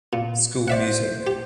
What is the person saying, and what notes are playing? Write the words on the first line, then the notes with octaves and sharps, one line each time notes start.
School music.
A#2
C5 D5 E5 F#5
G4